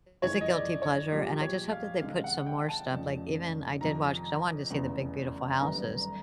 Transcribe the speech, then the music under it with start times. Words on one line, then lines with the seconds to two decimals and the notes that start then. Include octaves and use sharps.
is a guilty pleasure, and I just hope that they put some more stuff, like, even I did watch, 'cause I wanted to see the big, beautiful houses,
0.22 F#1 F2 C3 E3 G#3 C#5
0.41 D#5
0.52 D5
0.82 C#5
1.12 B1 A#2 F3 G#3 G4
1.41 C#5
1.71 F5
2.01 C#2 C3 D#3 G#3 F5
2.24 F#5
2.46 G5
2.68 A5
2.91 F1 F2 C#3
3.81 F2 C3 D#3 A#5
4.70 F1 E2 C#3
5.60 G1 F#2 D#3 G3 B3 A#5